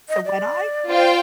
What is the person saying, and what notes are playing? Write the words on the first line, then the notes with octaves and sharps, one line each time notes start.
So, what I
D#5
D5
F4 C5 G5